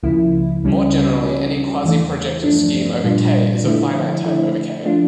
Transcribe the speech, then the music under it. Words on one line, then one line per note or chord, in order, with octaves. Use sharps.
More generally, any quasi-projective scheme over "k" is of finite type over "k".
C#2 C#3 F3 A#3 E4
C#2 C#3 G3 C#4
C#3 G3 C#4
E2 E3 A3
G2 F3 A3 D4
A#2 G3 D4 F4
D3 F3 A3 E4
D3 A3 E4
F3 A3 D4 F4